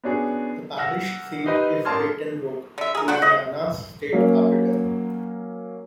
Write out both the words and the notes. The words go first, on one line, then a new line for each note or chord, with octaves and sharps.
The parish seat is Baton Rouge, Louisiana's state capital.
B3 C#4 D4 F#4 G#4
F#5 E6 F6 A#6
D#4 G4 B4 C5 D#5
A1 A#4 A5 C6 F6 G#6
D3 E5
G#4 A#4
D4 F#4 C5 F#5
D#5
F#3 A#3 C#4